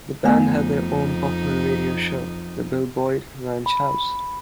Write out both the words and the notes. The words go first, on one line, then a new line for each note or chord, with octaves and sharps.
The band had their own popular radio show, The Bill Boyd Ranch House.
F2 A3 B3 D#4 G#5
B5